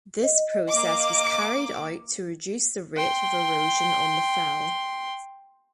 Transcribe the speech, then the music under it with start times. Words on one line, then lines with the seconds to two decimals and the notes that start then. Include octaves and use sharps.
This process was carried out to reduce the rate of erosion on the fell.
0.23 D#5
0.71 A#3 D6
2.96 G5 C6